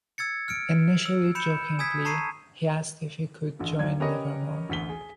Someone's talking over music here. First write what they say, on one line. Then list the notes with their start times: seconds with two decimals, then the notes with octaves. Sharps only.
Initially jokingly, he asked if he could join Nevermore.
0.18 E6 G#6 A6 C#7
0.48 F6 C#7 D7
1.06 E6
1.35 B5 G6 C#7 E7
1.79 G#5 D#6 E6 G#6 B6
2.05 A5 A#5 C#6 C7 D#7
3.59 A1 D3
3.79 D#2 F#3 G#6
4.00 C#4 G4 A#4 B4 C#5 D#5
4.69 A1 D2 B6 G7
4.89 G#4